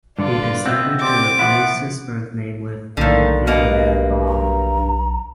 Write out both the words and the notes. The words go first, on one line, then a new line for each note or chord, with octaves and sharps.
He decided to replace his birth name with the theonym Baal.
G2 D3 F4 B4 D5
C4 D#5 E5 F#5
G4 C5 D5 D6
F3 B3 E4 F#5
B1 D3 D#3 A#3
G2 B2 A#3 D#5
A#5